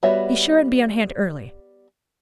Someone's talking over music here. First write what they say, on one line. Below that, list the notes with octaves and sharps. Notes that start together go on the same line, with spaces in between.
"Be sure and be on hand early."
G3 B3 F#4 C#5 E5